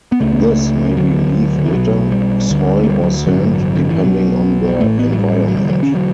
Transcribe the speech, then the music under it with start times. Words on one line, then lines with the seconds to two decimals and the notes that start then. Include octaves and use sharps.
This may be leaf litter, soil or sand, depending on their environment.
0.12 B3
0.20 C#2 C#3 A3
0.96 D2 D3 F#3
1.58 D3
1.66 E3
1.73 B1 B2 F#3
2.11 G3
2.50 D2 D3
2.84 A3
2.89 G3
3.01 F#3
3.27 A1 G2 D3 F#3
3.75 D3
3.90 E3
4.03 B1 B2 F#3
4.80 A1 A2 A3
4.99 B3
5.12 F#3
5.19 G3
5.48 F#3
5.56 E1 E2 D3 G3
5.70 F#3
5.83 C#4
5.95 F#3